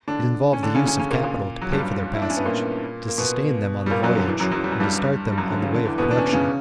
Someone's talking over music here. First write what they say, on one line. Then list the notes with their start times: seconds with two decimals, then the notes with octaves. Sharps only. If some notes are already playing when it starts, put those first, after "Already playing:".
It involved the use of capital to pay for their passage, to sustain them on the voyage, and to start them on the way of production.
0.08 D3 D4
0.53 C#4
0.63 D3 D4
0.74 C#3 C#4
0.86 C#3 C#4
0.99 C#3 C#4
1.11 A#2 A#3
1.23 A#2 A#3
1.61 F#3
1.72 G2 G3
2.14 E4
2.22 D4
2.30 C#4
2.37 B3
2.45 A#2 A#3
3.08 A#3
3.18 B2 B3
3.86 G3
3.91 A#2 A#3
4.03 F#2 F#3
4.15 D3
4.27 E2 E3
4.40 F#2 F#3
4.51 F#2 F#3
4.64 G3
4.72 F#3
4.80 G2 G3
5.32 G3
5.37 F#2 F#3
5.50 D3
5.62 C#3
5.74 D3
5.85 E2 E3
5.98 B2 B3
6.11 D4
6.18 C#4
6.26 B3
6.33 C#3 C#4